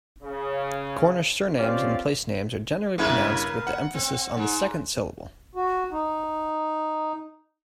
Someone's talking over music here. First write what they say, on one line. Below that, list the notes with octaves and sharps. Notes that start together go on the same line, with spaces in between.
Cornish surnames and placenames are generally pronounced with the emphasis on the second syllable.
C#3
C4 C#4 F4 G4 D5 F5
G2 C#3 A#3 C#4 E4 B4
F#5
C4
G#2
F#4
D#4